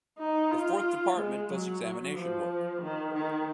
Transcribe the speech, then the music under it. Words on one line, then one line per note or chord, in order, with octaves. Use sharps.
The Fourth Department does examination work.
D#4
F4
G#3
F#3
F3
D#3
D#3